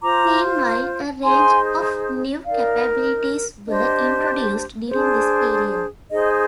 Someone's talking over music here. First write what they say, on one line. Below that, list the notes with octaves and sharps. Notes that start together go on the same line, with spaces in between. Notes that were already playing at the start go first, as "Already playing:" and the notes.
Meanwhile, a range of new capabilities were introduced during this period.
F4 C5 A#5 D6
D#4 G#4 C5 G#5 C6
D#4 A#4 D5 F5
D4 G4 C5 D#5
D4 G#4 C5
D#4 G#4 C5 D#5